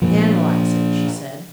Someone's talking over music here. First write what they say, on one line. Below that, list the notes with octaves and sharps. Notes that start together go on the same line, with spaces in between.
"Analyse it," she said.
A#2 F3